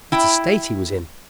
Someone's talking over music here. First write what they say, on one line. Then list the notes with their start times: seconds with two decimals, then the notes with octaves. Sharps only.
What a state he was in!
0.12 E4 G5